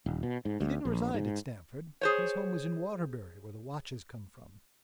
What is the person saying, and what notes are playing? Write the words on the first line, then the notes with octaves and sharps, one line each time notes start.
He didn't reside at Stamford; his home was in Waterbury where the watches come from.
D#1
B2
G#2
D2
A#1
G#2
G#4 C5 C#5